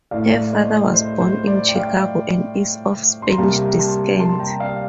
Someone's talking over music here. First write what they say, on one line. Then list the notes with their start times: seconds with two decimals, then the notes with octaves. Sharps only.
Her father was born in Chicago and is of Spanish descent.
0.11 A2 A3 D5 F5
0.32 D5 F5
0.53 C5 D#5
0.94 C5
1.21 C5
1.47 D5
1.69 G5
1.75 D5 F5
3.22 C6
3.30 A#5
3.38 C3 G3 A#3 F5 A5
3.58 G5 A#5
3.79 A5 C6
4.19 A5 C6
4.40 G5 A#5
4.60 D5 F5